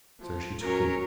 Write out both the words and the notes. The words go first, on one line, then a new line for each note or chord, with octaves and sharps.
So she took him.
F3
F#3 C#4 A#4 C#5